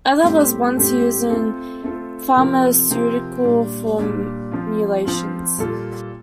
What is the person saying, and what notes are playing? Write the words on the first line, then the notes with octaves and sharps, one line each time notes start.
Ether was once used in pharmaceutical formulations.
A2 G3 C4 G4
A2 G3 C4 G4
A3 C4 F4 A4
A3 C4 F4 A4
C3 F3 C4 F4 A#4
C3 F3 C4 F4 A#4
A#2 G3 D4
A#2 G3 D4
F3 C4 F4
F3 C4 F4
A#2 G3 A#3 F4 A4